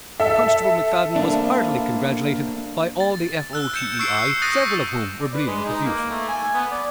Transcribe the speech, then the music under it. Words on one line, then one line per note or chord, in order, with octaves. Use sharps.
Constable MacFadden was heartily congratulated by all the F.O.T.E.I., several of whom were bleeding profusely.
A4 E5
A#3 D4
A6
E6 F#6 G7
G6 C#7 E7
C#6 E6 G6 C7 D7
D#6 F#6 A6 A#6 D#7
D5
B4
G#3
D#4
A#3
A3
G#5
B3
D5